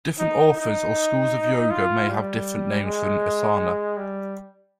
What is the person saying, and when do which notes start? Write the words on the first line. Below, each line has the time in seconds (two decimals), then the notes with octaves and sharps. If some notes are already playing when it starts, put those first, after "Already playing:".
Different authors or schools of yoga may have different names for an asana.
0.19 D#4
0.57 D#4
1.71 F4
2.08 G3
2.84 G#3
3.97 G3